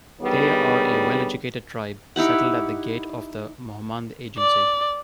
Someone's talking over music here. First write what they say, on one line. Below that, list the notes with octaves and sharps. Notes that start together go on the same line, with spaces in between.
They are a well-educated tribe settled at the gate of the Mohmand Agency.
D3 D#3 G3 B3 G#4 C#5
D#4 E4 G4 F#5
D5